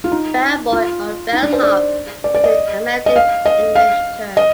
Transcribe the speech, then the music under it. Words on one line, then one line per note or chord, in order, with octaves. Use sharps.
"Bellboy" or "bellhop" is an American English term.
F4
D#4
F4
D#4
D4
C5
D5
D5
D5
D#5
D#5
F5
D#5
F5
D#5